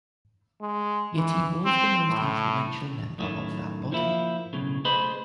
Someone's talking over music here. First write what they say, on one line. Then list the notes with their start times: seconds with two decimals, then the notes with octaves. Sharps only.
Yet he was the most influential member of that body.
0.62 G#3
1.16 E3
1.65 C4
2.09 A2
3.18 F#2 A2 D#3
3.92 F3 A#3 E4
4.53 B1 A2 C#3
4.85 A3 G#4 B4 C5 D#5 B5